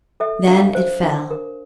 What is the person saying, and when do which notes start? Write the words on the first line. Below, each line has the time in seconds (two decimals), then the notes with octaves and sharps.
Then it fell.
0.20 A4 E5
0.47 D4 F5
0.75 C5
1.03 D4
1.31 A#4